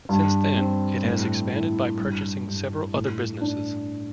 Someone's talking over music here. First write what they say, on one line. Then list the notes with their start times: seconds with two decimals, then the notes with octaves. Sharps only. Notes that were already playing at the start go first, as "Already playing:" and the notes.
Since then, it has expanded by purchasing several other businesses.
0.09 G2
0.57 C4
1.04 A2
1.52 E4
1.99 G2
2.47 G2
2.94 A2
3.41 D4